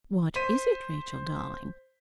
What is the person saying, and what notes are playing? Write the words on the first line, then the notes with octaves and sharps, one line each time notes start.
'What is it, Rachel, darling?'
C5 B6 D#7